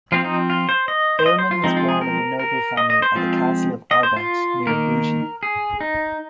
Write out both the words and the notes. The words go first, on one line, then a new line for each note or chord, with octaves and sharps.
Aleman was born of a noble family at the castle of Arbent near Bugey.
F3 C4 F4
D#4
F4
C5
D#5
C5
D#5
C5
F4
F3 G#3 C4 D#4
F4
G#4
A#4
A#4
D#5
D#5
C5
F3 G#3 C4 F4
D#5
C5
F4
D#3 A#3 A#4
G#4
D#4